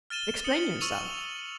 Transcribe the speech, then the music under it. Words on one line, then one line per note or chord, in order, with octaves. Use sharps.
"Explain yourself."
F6 A6 D#7 E7 G7
D#6 C#7 F#7 G7
C#6 E6 D#7 F7 F#7